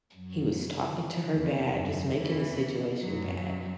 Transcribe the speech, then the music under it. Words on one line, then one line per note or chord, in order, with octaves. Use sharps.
He was talking to her bad, just making the situation bad
F#2 F#3
E2 E3
F#2 F#3
E2 E3
F#2 F#3